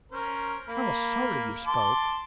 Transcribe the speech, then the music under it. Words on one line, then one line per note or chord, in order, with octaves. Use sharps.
I was sorry you spoke.
C#4 A#4 C5
A#3 B5
A5 C6 D6